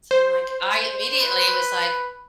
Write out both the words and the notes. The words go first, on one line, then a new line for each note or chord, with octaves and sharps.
so I'm like I immediately was like,
C5
B4